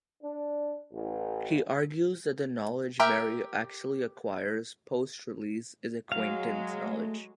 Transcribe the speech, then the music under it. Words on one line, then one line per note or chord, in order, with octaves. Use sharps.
He argues that the knowledge Mary actually acquires post-release is acquaintance knowledge.
D4
A1
G4 A#4 E5 G5
F#3 G#3 F5
A3